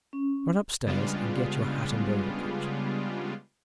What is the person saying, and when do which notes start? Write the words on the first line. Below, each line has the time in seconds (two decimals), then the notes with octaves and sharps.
"Run upstairs and get your hat and overcoat."
0.13 C#4
0.87 C#3 G3 G#3 B3 D4 F4